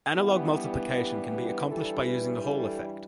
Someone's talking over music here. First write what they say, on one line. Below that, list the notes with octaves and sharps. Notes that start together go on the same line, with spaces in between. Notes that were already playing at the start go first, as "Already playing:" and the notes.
Analog multiplication can be accomplished by using the Hall Effect.
G2 E3 G3 B3
G2 E3 G3 A4
B4
A4